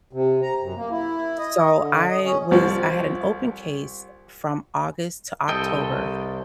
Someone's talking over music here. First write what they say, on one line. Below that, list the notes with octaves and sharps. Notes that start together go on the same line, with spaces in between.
So, I was I had an open case from August to October,
C3
A#5
F#2
A#3
E4
D#5
D3
D#5
C#4
C2 F3
C2 A4 D#5 G5